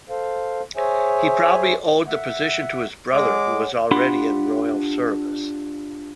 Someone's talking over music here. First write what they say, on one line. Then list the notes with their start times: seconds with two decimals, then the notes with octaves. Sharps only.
He probably owed the position to his brother, who was already in royal service.
0.09 A4 C5 F5
0.76 G#4 C5 C#5 E5 G#5
2.08 E5 F#5
3.13 G#3 C#5 F#5 D6
3.91 D4 F4 G4 F#5 B5 C6